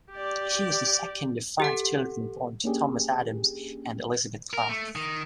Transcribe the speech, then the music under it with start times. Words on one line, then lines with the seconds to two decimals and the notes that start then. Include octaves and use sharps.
She was the second of five children born to Thomas Adams and Elizabeth Clark.
0.11 G4 D5
1.60 G4 A4 F#5
2.64 A#3 C#4 D4 G4 G#4
4.54 A#4
4.69 A3
4.96 D#3